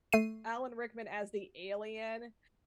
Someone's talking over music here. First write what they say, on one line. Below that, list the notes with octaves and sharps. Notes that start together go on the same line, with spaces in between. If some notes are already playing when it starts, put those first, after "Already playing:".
Alan Rickman as the alien,
A3 C7 D#7